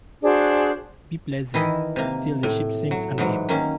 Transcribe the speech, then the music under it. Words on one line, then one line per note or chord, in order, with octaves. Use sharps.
Be pleasant, till the ship sinks under him.
D4 F#4 G#4 C5
D#3 E3 E4 D#5
C3 A#3
A2
F#3
G#2 E3 F#3
D#3 A#3 C#4